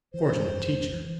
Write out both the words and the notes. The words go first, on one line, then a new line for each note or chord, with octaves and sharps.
Fortunate teacher!
E3 C5
G#3
F2
F2
E3